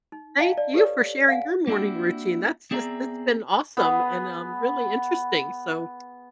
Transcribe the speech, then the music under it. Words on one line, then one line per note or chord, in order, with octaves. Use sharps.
Thank you for sharing your morning routine, that's just it's been awesome and, um, really interesting. So,
D#4
D#5 F5 G5 A5 A#5
D5
G4 A4 B4 C#5 D5
F5 F#5 G#5
A#3 C4 D4 E4 F#4
B3 C4 G#4 D5 E5 A#5
B3 G#4 B4